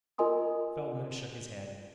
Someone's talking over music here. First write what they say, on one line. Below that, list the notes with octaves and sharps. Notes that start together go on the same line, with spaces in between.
Feldman shook his head.
F4 A#4 D#5 G#5 C6 D#6